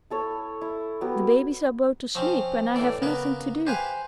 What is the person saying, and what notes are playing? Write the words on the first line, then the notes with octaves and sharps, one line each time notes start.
"The babies are both asleep and I have nothing to do."
E4 A4 C#5 B5
E4
F#3 B3 F#4 G4
F3 C4 C#4
A2 E3 D5
C#3 A#3 B3 B4
G4 B4 C5 F5 G#5